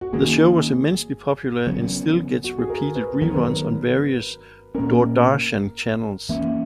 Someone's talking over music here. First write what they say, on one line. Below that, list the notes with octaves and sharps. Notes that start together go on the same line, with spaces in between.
The show was immensely popular and still gets repeated re-runs on various Doordarshan channels.
F#4
D#3 A#3 C#4 G#4
C#3 F#3 B3
F#4
G#4
A#4
B4
D#3 F#3 B3 A#4
B4
A#4
A#2 A#3 C#4 A#4
E3 A#3 C#4 E5